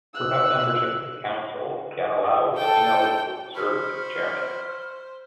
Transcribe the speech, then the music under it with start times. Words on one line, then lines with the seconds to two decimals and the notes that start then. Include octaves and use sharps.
Without membership of the Council, Ganilau was ineligible to serve as its chairman.
0.14 E6 F#6
2.57 A4 G5
3.55 C5 B5 C#6 F6